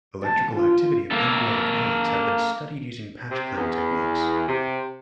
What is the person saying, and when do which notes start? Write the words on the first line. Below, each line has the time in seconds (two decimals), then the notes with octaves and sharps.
Electrical activity of pancreatic islets has been studied using patch clamp techniques.
0.24 A5
0.56 F4
1.11 A#3 A4
3.31 C3
3.57 E2
4.47 C3